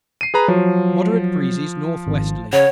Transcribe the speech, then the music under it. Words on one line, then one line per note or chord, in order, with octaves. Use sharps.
Moderate breezes north-westerly.
C7 D#7
G#4 B4 A#5
F3 F#3
G#1
C#3 C#5 F#5